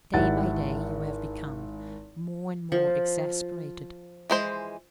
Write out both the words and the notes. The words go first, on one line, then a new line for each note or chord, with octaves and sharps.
Day by day you have become more and more exasperated.
G#1 E4 G4 F#5 A6
F3
E3 G#3 C5